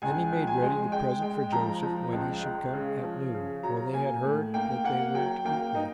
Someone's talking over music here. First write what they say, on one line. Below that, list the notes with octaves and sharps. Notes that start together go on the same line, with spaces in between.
Then they made ready the present for Joseph, when he should come at noon, for they had heard that they were to eat there.
C#2 G#5
F3
G#5
G#3
G#3 G5
G#3 G5
F3 A#5
F3
C#2
G#3
C#3
F3
C#3
F#3 A#5
A#3 G#5
A2
A#3 G5
A#3 F#5
F#3 G5
A#3 G5
D#4